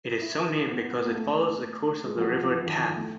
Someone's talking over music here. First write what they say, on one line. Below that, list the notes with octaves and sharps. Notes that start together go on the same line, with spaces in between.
It is so named because it follows the course of the River Taff.
E4
B3
B3
A#3
A3
G#3
F3
F#3
F3
E3
D#3
F3
A3